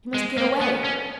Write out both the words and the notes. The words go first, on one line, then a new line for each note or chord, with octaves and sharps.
He must get away.
G#3
A#3
B3
C#4